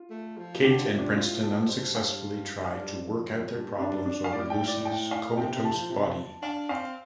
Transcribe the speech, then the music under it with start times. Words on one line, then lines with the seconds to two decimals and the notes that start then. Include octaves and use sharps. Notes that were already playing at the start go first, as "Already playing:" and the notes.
Kate and Princeton unsuccessfully try to work out their problems over Lucy's comatose body.
Already playing: F4
0.10 A3
0.38 F3
0.64 D3 G4
0.81 F4
0.90 C3
0.99 D4
1.17 A2 F4
1.42 A4
1.69 G2 C5
1.95 F5
2.64 F5
2.74 G2 D5
3.01 F2
3.27 G2
3.38 F2
3.48 G2
3.79 D4
4.06 D4
4.24 F5
4.33 A2 D5
4.50 G5
4.59 A2
4.67 D5
4.85 G5
5.11 F5
5.37 C3 G5
5.55 C3
5.64 A5
5.72 F3
5.91 C3
6.42 D4 F5
6.69 C4 F5